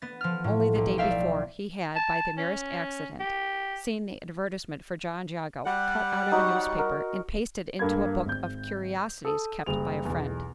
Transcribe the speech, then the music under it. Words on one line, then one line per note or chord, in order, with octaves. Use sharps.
Only the day before, he had, by the merest accident, seen the advertisement for John Jago cut out of a newspaper and pasted into a book of "curiosities" kept by a friend.
B3 A6
F3 F6
A2
B1
D5 E5 F5 G5
A5
C#4
G4
G3 F#5
D#4 F#4 C#5
A#4
G2 A#3 A4 B5 G#6
G#1 G6
A4 D#6
F#1 G3 F7
B1 E2